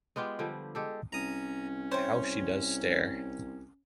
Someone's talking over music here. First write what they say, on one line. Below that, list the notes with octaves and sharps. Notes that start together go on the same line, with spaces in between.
How she does stare!
G#3 B3 F4 G4
D3 F3 G3
G#3 G4 A4
C2 C#4 A#5 D#6
C3 C5 C#5